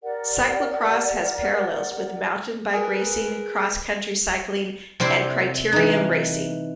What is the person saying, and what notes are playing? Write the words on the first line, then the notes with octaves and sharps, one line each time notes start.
Cyclo-cross has parallels with mountain bike racing, cross-country cycling and criterium racing.
G4 A#4 D5 F#5
G#4 A#4 B4
C3 C4 E4 C5 D5
E3 D#4